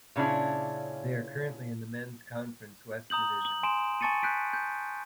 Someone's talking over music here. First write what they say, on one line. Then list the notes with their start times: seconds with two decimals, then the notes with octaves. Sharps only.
They are currently in the Men's Conference West Division.
0.16 A#2 C#3 C#4 D4 E4
3.10 A#5 D#6 G6 F#7
3.45 F#7
3.63 G#5 C6 D7 E7
4.01 G#5 A5 C#6 A6 C#7 D#7
4.23 F#6 G6 B6 D7
4.53 G6